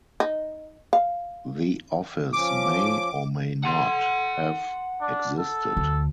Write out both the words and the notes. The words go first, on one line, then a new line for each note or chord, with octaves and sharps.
The office may or may not have existed.
D#4
F5
F3 C#4 D6
F#5 C6
D4
A4
D2